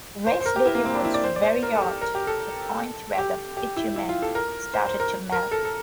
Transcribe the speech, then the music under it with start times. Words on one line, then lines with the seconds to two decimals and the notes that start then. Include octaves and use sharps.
Race day was very hot, to the point where the bitumen started to melt.
0.27 C5
0.40 C5
0.46 A#4
0.56 G4
0.66 E4
0.75 A#3
0.85 C4
0.95 D4
1.05 E4
1.14 D5
1.24 C5
1.36 D5
1.43 C5
1.63 A#4
1.75 A4
1.82 G4
2.01 A#4
2.15 G4
2.27 A4
3.18 G4
3.57 G4
3.77 E4
3.96 E4
4.09 F4
4.22 A4
4.35 A#4
4.74 C5
4.86 C5
5.00 A#4
5.32 A#4
5.51 A4
5.65 A4